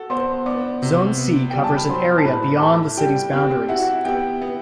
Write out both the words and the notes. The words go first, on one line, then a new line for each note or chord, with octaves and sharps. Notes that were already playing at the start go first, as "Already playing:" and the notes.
Zone C covers an area beyond the city boundaries.
Already playing: F#4 A4 F#5
B3 C5 C6
B3 D5 D6
C3
B3
G3 G5
A5
B5
F#3 C5 C6
A5
A2 B4 B5
E4 A4 A5
G3 G4 G5
C4 G4 G5
E4 F#4 F#5
B3 G4 G5
B3